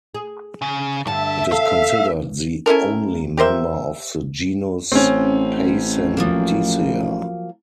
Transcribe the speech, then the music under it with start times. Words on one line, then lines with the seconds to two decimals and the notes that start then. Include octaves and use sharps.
It is considered the only member of the genus Paysandisia.
0.15 G#4
0.62 C#3
1.07 G2 D3 G3 E5 A5
1.52 A4 F5
2.66 C#4 E4 A4 A#4
3.37 G4 A#4 C5 E5
4.92 A1 C4 C#4
6.17 F3 F#3 A#3